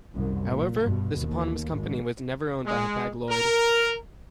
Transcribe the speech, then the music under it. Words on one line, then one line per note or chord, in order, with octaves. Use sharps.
However this eponymous company was never owned by Hapag-Lloyd.
C2 F#2
A#2
G2 B2
D#2
G#1 G#2
G#3
A#4